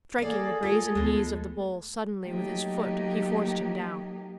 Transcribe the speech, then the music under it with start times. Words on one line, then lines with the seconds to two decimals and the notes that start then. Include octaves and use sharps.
Striking the brazen knees of the bull suddenly with his foot he forced him down.
0.18 A#3 G#4 A4 D5 F5
0.63 A3 F4 A4 A#4
0.95 D2 B2 G#3
2.24 F#3 A3 A#3 D#4 G4